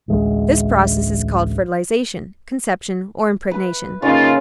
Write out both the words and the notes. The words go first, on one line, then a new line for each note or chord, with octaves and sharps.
This process is called fertilization, conception or impregnation.
A1 D2 G#3
B4
C#3 A#3 D#4 F4